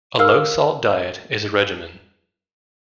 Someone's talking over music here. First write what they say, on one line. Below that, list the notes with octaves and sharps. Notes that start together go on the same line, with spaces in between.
A low-salt diet is a regimen.
A#4 F5 E6 F6